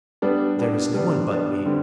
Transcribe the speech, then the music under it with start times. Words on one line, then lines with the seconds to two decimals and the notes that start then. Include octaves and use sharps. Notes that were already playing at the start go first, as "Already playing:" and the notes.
"There is no one but me."
0.22 G3 B3 D4
0.58 G3 B3 D4
0.94 G3 B3 D4
1.30 G3 B3 D4
1.66 D3 G3 C4